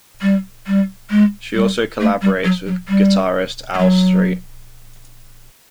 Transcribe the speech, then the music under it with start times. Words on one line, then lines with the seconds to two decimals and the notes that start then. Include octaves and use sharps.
She also collaborates with guitarist Al Street.
0.22 G3
0.67 G3
1.10 G#3
1.55 G3
2.00 A3
2.22 G3
2.44 F#3
2.67 F#3
2.89 G3
3.74 G3
3.78 F#3